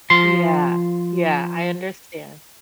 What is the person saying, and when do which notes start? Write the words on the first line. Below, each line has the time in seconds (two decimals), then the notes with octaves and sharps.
Yeah, yeah, I understand.
0.10 F3 C5 C6